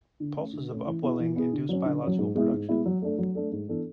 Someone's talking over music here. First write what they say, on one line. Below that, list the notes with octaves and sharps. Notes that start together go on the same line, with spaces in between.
Pulses of upwelling induce biological production.
D3
A3 C#4
D3
A3 C#4
E3
B3 E4 G#4
E3
B3 E4 G#4
D3
F#3 C#4
D3
F#3 C#4
G#2
G#3 B3 E4
G#2
G#3 B3 E4
F#3
A3 D4 A4
F#3
A3 D4 A4
G#2
E3 B3 D4 A4